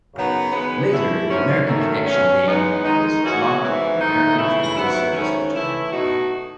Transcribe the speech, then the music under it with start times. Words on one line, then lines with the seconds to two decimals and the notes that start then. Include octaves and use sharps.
Later, the American Connection name was dropped and American Eagle service returned.
0.13 F#2 C#3 F#3 B3 D#4
0.51 F#2 D#3 G#3 B3
0.90 E3 A3 E4
1.29 G#2 F#3 A3 C#4
1.66 F#2 D#3 A3
2.06 B2 F#3 C#4
2.44 E3 G#3 B3 D#4
2.82 D#3 G#3 D#4
3.21 E3 G#3 C#4 F#4
3.59 G#2 E3 A3
3.98 G#2 D#3 A3 D#4
4.37 C#3 E3 A3 E4
4.75 G#2 F#3 B3 E4
5.13 G#2 D#3 A3 C#4
5.52 E3 A3 E4
5.90 B2 A3 D#4 F#4